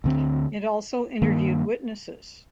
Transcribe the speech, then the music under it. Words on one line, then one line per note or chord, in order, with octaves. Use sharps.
It also interviewed witnesses.
D2 D3 G#3 C4
G2 D#3 A#3